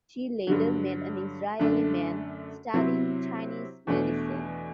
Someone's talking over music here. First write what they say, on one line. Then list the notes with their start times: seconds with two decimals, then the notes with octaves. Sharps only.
She later met an Israeli man studying Chinese medicine.
0.47 G2 D3 F#3
1.60 F#2 D3 A3 D4
2.74 C3 F#3 C4 E4
3.87 E2 B2 A3 D4